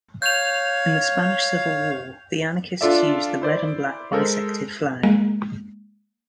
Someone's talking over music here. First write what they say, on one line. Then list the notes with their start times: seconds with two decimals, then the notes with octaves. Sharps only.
In the Spanish civil war, the anarchists used the red-and-black bisected flag.
0.22 C#5 F5 G6 F7
2.81 D4 F4 A4 D5 E5
3.42 E4 C5 D5
4.12 G#3 A4 A#4 C5
5.03 G#3 A#3